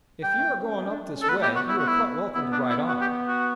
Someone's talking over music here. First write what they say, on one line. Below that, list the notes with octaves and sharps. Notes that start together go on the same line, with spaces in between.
"If you are going up this way, you are quite welcome to ride on."
G3 G5
A3
B3
C#4
B3
C#4
D4
D4
C#4
A4
B3 B4
A3
G4
B3
F#4
E4
F#4
E4
B3 E4
D4
E4
F#4
G4
F#4